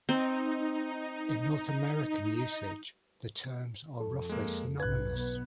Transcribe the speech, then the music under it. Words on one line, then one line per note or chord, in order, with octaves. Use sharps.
In North American usage, the terms are roughly synonymous.
C4 D#4
F2 A4
G#3 A#3
B1 G#2 C3 B4 F#6 G#6
B2 B3